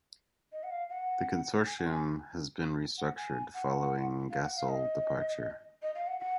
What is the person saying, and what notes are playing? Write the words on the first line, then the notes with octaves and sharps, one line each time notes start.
The consortium has been restructured following Gasol departure.
D#5
F#5
F5
F#5
G#5
F#5
G#5
F#5
G#5
F#5
F5
F#5
F5
D#5
D#5
F5
F#5
F#5